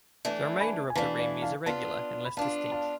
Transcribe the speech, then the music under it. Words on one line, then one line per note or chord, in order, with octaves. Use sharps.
The remainder of the rim is irregular and less distinct.
E3 A3 D4
G#5 B5
G#5
E3 A3 D4 F5 A5
D5 F5
F5 A5
B3 D4 F4 F5 A5
B5
B3 D4 F4 F5 A5
F5 A5